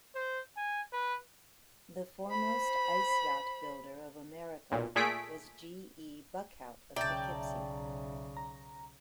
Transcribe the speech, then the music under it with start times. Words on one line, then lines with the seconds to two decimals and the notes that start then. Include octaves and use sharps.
The foremost ice-yacht builder of America was G. E. Buckhout of Poughkeepsie.
0.15 C5
0.57 G#5
0.93 B4
2.27 C5 B5
4.72 B1 A#2
4.96 A#2 A3 G#4 B6 D7
6.96 B1 C#3 D5 E5 G5 A5 A#5
8.37 A#5